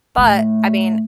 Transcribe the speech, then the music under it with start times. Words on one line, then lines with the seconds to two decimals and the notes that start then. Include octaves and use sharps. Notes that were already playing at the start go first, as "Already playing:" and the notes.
But, I mean, I
0.18 A2 A3